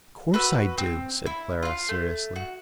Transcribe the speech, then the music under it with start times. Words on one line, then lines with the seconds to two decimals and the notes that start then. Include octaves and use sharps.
"Of course I do," said Clara seriously.
0.34 F#4 B4 E6
0.78 C4
1.26 E4
1.63 F4 F5
1.89 A3
2.36 F#4